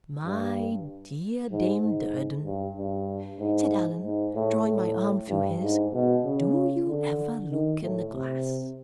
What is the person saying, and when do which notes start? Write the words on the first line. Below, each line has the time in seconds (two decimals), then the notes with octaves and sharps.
"My dear Dame Durden," said Allan, drawing my arm through his, "do you ever look in the glass?"
0.25 G2
1.52 G#2
1.83 G#2
2.45 G2
2.77 G2
3.40 G#2
4.04 G#2
4.35 A2
4.67 A2
5.29 G2
5.62 G#2
5.93 B2
6.25 C#3
6.88 D3
7.51 D#3
7.82 A2
8.13 C3